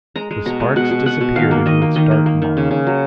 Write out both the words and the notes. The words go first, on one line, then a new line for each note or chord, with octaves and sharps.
The sparks disappeared into its dark maw.
G#3 A#5
G#3
B2 A#5
G#3
B2 F#5
B2
B2 F#5
B2
D#3 F5
A#3
D#3 D#5
A#3
D#3 D#5
A#3
A#3
D#3
C#3
C#3
F#3